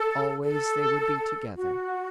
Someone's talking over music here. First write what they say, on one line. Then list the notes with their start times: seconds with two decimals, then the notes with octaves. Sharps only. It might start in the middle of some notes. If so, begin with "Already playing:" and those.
Always they would be together.
Already playing: A4
0.44 A4
1.55 F#4